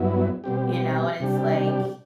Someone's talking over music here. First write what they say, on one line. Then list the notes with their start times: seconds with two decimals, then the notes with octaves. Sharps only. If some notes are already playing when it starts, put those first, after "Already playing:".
you know? And it's, like,
Already playing: G2 F#3 B3 E4
0.44 B2 G3 C4 G4
1.20 C3 G3 D4 G4